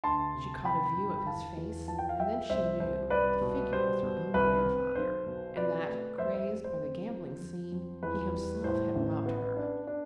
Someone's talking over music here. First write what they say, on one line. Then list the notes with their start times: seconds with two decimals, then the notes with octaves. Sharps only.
She caught a view of his face and then she knew that the figure was her own grandfather, and that, crazed by the gambling scene, he himself had robbed her!
0.04 D2 A5 C6
0.34 C3
0.65 F2 G5 B5
0.96 G1
1.18 B5
1.26 E2 F5 A5
1.57 E2
1.88 F3 A5
1.99 G5
2.09 F5
2.19 F3 E5 G5
2.49 C2 C5 E5
2.80 C2 C5
3.10 C2 B4 D5
3.41 B2
3.72 G3 C5
4.03 B2
4.34 C2 B4
4.65 C4
4.95 B1 C5
5.27 B2
5.56 C4 B4 D5
5.88 A3
6.18 F2 C5 E5
6.34 C5 E5
6.49 A3
6.64 C5
6.81 C4
7.11 F3
7.41 F2
7.72 F2
8.03 E2 B4
8.34 G3
8.64 A2 C5
8.95 A1
9.26 B3
9.57 D4
9.87 D4